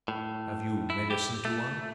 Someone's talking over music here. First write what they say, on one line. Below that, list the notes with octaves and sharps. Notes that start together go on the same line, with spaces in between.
"Have you medicine, Tuan?"
A2
E4
G4
A3